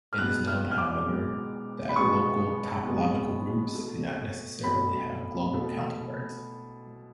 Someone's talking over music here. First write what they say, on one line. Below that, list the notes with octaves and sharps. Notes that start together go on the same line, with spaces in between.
It is known, however, that "local topological groups" do not necessarily have global counterparts.
F6
B2 G#3 B3 F#6
F6
F6
D6
B2 G#3 B3
B5
B2 G#3 B3 C#6
B2 G#3 B3
B2 A3
B2 A3 B5
B2 A3